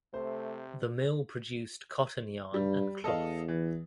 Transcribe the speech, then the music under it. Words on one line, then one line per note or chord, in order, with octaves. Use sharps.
The mill produced cotton yarn and cloth.
C3 A3 C5
G2 G3
E2 A4 D#5 F5
E3